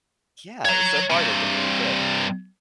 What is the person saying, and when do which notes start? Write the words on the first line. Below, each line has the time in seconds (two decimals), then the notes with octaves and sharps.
yeah, so far they've been really good.
0.65 C#5 A#5
1.10 G2 C3